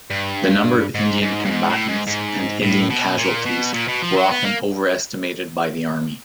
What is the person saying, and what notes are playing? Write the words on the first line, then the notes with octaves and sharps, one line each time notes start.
The number of Indian combatants and Indian casualties were often overestimated by the army.
G2
G#2
G#2
G2
G#2
A2
G#2
G#2
A2
B2
A#2
B2
A#2
B2
F3
F#3
B3
A#3